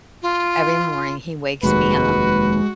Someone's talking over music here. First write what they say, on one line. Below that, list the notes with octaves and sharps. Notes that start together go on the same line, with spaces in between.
every morning he wakes me up.
F4
F1 D#2 G#3 F#4 B4